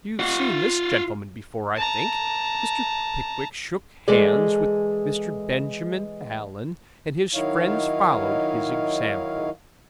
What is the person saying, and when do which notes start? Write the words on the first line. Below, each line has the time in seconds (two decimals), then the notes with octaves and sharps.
You've seen this gentleman before, I think?' Mr. Pickwick shook hands with Mr. Benjamin Allen, and his friends followed his example.
0.19 F4 F#5
1.76 A5 A#5
4.08 E3 G#3 G#4 A4 D5
7.34 D#3 F#3 D#4 E4 C#5 F5